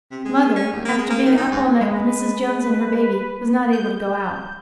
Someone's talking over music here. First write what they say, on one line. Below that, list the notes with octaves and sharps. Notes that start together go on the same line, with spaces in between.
Mother, after being up all night with Mrs. Jones and her baby, was not able to go out.
C3
G#3
G#3
C#4
D#2
A#3
G#3
A#3
D#3
D#4
G#2
G#3 B4
G6